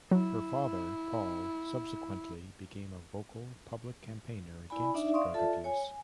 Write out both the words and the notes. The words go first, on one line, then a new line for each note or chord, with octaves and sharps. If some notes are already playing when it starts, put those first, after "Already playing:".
Her father, Paul, subsequently became a vocal public campaigner against drug abuse.
F#3 E4
E4 D5 G#5 B5
D4 D#4 D5 E5
D5 E5 F5 C6 C#6 D#6
F4 A4 D5 E5 A5
C#5 G#5
G#5